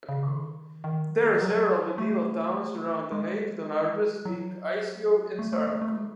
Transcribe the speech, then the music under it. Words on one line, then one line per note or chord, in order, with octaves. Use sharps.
There are several medieval towns around the lake, the largest being Iseo and Sarnico.
C#3
D#3
D#3
F#3
A3
G#3
F#3
A3
A3
A3
A3
G#3